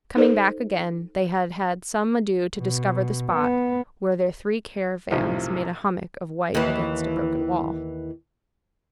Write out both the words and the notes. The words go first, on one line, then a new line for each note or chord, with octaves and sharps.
Coming back again, they had had some ado to discover the spot where their three caravans made a hummock of white against a broken wall.
D#4 A4 C5 D5
B2
B3
B1 F#2 A2 C3 F3
D#2 E3